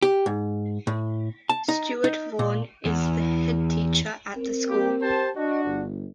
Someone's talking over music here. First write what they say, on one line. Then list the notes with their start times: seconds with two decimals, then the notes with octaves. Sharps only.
Stewart Vaughan is the Headteacher at the school.
0.03 G4
0.26 G#2
0.87 A2
1.49 A5
1.68 D#4
2.04 D#4
2.39 A#2
2.86 E2
4.36 C4 A#4
4.68 A#3 G4
5.01 G4 C5 A5
5.36 D4 F#4 D#5
5.65 G1